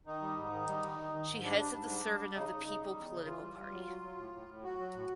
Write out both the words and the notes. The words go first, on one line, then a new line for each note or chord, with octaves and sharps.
She heads of the Servant of the People political party.
D#3 D#4
G3
G#2
D#3
G3
D#3
D#3
D#3
G#2
G3 D4
G3
G#2
G3
G3
G3
C#3 D#4
C#3
C#3
G3
E2
C#3
E3 F4
G3
G3
F#3
F#3
F#3
A2
A2
A2
F#3 F#4
F#3
A2